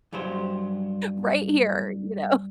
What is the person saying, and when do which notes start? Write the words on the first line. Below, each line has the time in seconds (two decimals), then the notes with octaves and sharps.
right here." You know?
0.13 G2 F#3 G4 C5